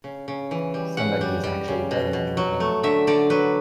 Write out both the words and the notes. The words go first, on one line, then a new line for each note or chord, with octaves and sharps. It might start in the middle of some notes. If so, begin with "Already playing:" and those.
Somebody is actually playing your game.
C#3
C#3
E3
G3
C#3 F#5
G3
G3
C#3
B2
B2
F#3
A3
D3 E5
D3 D5
F#3 B4